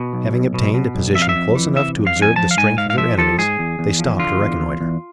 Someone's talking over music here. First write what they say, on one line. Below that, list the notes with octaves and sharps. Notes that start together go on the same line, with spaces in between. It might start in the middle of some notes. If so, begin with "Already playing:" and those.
Having obtained a position close enough to observe the strength of their enemies, they stopped to reconnoitre.
Already playing: B2
B1
B1
B2
B2
B1
F2 E5
F5
E5
F2
E3
C3 E5
F2
F5
F2
G#5
F3 A5
F5
G#2 G#5
G#2 F5
F5
F3 E5
F3 A4
G#2 G#4
E2
E2
F3
D3 F4
E2
E2
E2